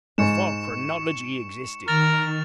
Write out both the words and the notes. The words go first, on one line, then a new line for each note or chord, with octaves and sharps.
Before chronology existed....
G#2 C#6 C#7 E7
D#3 A#4 F6 A6 F7